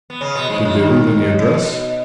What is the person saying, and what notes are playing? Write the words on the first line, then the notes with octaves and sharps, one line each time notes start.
"Did they leave any address?"
B3
C#3 C#4
B2 B3
G#2 G#3
G#3
F#2 F#3
D#2 D#3
C#3
B2